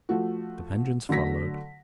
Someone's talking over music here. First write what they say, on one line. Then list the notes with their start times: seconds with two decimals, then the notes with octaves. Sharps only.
The Vengeance followed.
0.09 F3 A3 F#4
1.09 D3 F#3 A3 A#6 B6